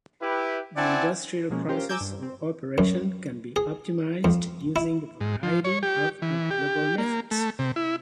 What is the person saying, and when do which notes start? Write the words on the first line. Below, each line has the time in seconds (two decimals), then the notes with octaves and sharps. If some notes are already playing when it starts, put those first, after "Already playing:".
The industrial process or operation can be optimized using a variety of available methods.
0.22 E4 G4 B4
0.76 C4 E4 D5 F#5 G#5 A5
1.50 B2 F3 G#3 A#3 C#4
1.68 C#4 F4 G4 A#4 C5
1.89 G#5 A#5 D6 E6 G6 G#6
2.01 G2
2.23 C4
2.78 F#2
3.56 G#4
4.25 F2
4.76 E4
5.21 G#2
5.43 F3
5.64 C#5
5.83 G4
6.22 E3
6.51 G4
6.98 A#3
7.31 A3
7.59 C3
7.76 E4